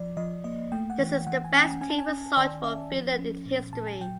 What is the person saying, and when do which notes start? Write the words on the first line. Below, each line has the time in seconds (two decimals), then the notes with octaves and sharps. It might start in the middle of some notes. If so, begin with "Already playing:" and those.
This is the best team result for Finland in history.
Already playing: F3 D5
0.17 F3 D#5
0.44 A#3 D#5
0.72 A3 G5
0.90 F#5
0.99 E3
1.27 E3 F#5
1.44 G#5
1.54 C#4 G5
1.64 G#5
1.81 C#4 G#5
1.90 A5
1.98 G#5
2.09 C#4
2.37 D#3 D5
2.63 C#4 E5
2.92 F3
3.19 C#4
3.46 A#2
3.73 A#2 A5
3.87 G#5
4.00 F#3 G5